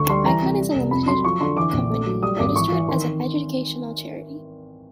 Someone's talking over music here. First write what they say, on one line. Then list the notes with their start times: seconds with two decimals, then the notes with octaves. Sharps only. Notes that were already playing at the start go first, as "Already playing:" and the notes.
Ikon is a limited company, registered as an educational charity.
Already playing: D2 C#6
0.09 G3 C6
0.25 E3 A#5
0.42 C3
0.58 G3
0.75 C2
0.91 F2 B5
1.08 F#3 C6
1.24 F3 C#6
1.41 D3 C6
1.57 E3 D6
1.73 A#1
1.90 A3
2.06 F#3
2.23 G3 D#6
2.39 G#1 D6
2.56 E3 C#6
2.72 E3
2.88 D#3 C6